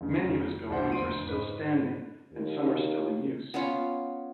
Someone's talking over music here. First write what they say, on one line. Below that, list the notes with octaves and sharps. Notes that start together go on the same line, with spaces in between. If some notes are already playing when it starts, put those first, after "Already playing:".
Many of his buildings are still standing and some are still in use.
F1 C#3
C2 G2 E3 D4 C5 F#5
F1 D3 C5 C6 D7 D#7
G#2 B4
D#2
B3 C#4 F4 C#5